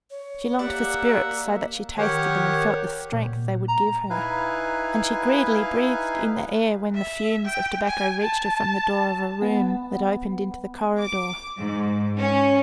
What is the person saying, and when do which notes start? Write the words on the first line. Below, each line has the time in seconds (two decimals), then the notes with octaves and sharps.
She longed for spirits so that she tasted them and felt the strength they would give her; and she greedily breathed in the air when the fumes of tobacco reached her from the door of a room that opened into the corridor.
0.10 C#5
0.59 A#3 G4 D5 E5 F#5
1.98 D#3 G4 C#5 F#5
3.13 A#2
3.68 A#5
4.10 D#4 E4 B4 F5 G#5 F#6
6.94 E5
7.45 G5
7.87 G#5
8.22 A5
9.42 B3
11.00 D6
11.58 G#2
12.19 C#4